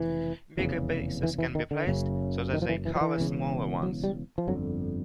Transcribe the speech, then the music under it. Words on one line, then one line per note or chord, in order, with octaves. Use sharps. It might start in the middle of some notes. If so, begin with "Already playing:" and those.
Bigger pieces can be placed so that they cover smaller ones.
Already playing: F1 C#3 E3
F1 E2 C#3
E3
E3
D#3
D3
F#1 F#2 C#3
D#3
F3
E3
E3
F3
E3
E1 E2 C#3
F#3
G3
F3
G1 F2 D3 F#3